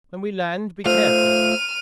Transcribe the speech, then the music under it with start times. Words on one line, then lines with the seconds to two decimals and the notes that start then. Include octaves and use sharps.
When we land, be careful.
0.86 A3 F4 C5 F6 D#7